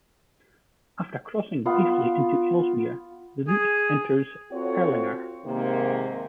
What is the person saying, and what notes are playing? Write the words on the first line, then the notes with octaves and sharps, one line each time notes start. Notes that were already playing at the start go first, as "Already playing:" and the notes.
After crossing briefly into Elsmere, the route enters Erlanger.
B3 F4
G#4
C4 F4 F#4 A4 C#5
G#2 C3 D#3 A#3